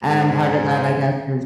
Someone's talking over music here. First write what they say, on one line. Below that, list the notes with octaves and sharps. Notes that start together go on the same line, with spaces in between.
and part of that, I guess, is
G#2